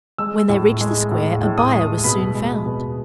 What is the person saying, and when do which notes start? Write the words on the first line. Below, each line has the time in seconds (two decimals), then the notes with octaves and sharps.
When they reached the square, a buyer was soon found.
0.18 G#3 E6
0.49 A2
0.81 G#3
1.11 A2
1.43 A2
1.58 D#6
1.73 G#3
2.04 B2 B5
2.35 G#3
2.66 B2